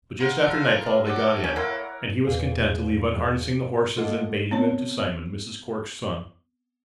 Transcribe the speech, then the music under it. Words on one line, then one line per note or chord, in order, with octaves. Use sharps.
But just after nightfall they got in, and he was content to leave unharnessing the horses and baiting them to Simon, Mrs. Cork's son.
F4 A#4 F#5
A4 A#4
B4 D5
A4 C#5 F#5 C#6 D6
C#4
A#3 E4 A#4 F#5 C6
E2 A#2 G#4
G#3 A#3 F4 A4 D#5 F#5
B3 C4 C#5